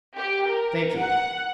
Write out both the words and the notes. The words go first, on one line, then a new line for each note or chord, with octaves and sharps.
"Thank you."
G4
A#4
F#5